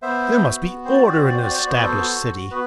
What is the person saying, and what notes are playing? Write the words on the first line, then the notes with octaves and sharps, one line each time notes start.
There must be order in an established city.
B3 C5 E5
F#4
C4 C5
D5
C5
D5
C5
F#4 D5
C5
D5
C5
D5
B3 C5
D5
A4 C5
F#4
B3 B4